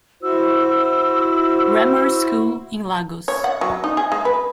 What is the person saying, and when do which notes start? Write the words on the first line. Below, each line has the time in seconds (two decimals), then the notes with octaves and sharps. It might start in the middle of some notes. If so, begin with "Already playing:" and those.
Grammar School, in Lagos.
0.23 E4 F#4 C5 E6
3.28 C#5
3.44 F#5
3.61 F#3
3.84 D#4
3.97 G#4
4.12 G#3
4.25 B4